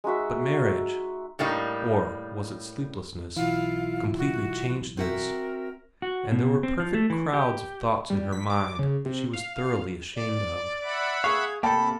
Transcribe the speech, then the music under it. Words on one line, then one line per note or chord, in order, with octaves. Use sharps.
But marriage--or was it sleeplessness?--completely changed this, and there were perfect crowds of thoughts in her mind that she was thoroughly ashamed of.
G#3 D#4 F#4 E5
A2 G3 A#3 D#4
B1 E3 E4 F4 F5
F#4
C4 F#4 A#4 E5
F#4
B2
C4
F3
A3
E3
G4
G3
B6
D6
C#3
C3
F5
D5
E5 F#5 B5
G#4 F5 C#6 G#6
C3 A#3 A4 G5 A5 B5